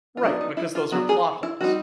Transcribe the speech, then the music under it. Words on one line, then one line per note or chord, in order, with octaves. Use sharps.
Right, because those are plot holes.
F4
F#3 B3 D4 E4
D#4
E4
F4
F#3 B3 D4 F#4
G#4
E4
G3 C4 D#4 F#4